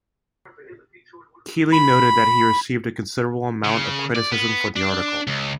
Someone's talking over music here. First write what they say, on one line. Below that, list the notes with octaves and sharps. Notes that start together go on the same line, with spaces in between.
Keely noted that he received a considerable amount of criticism for the article.
B5
C#3
D5
B3
D4
C#2